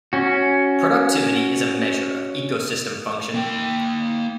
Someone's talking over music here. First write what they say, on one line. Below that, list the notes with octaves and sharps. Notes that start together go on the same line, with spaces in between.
Productivity is a measure of ecosystem function.
C#4 F#4
A#3 G5